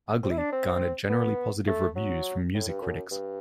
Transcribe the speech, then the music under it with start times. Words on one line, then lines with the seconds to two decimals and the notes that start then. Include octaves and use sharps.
"Ugly" garnered generally positive reviews from music critics.
0.23 C4
0.30 E4
0.38 D4
0.52 C4
1.10 B3
1.67 A3
1.95 F#3
2.54 A2
2.68 G2
2.82 F#2
3.11 G2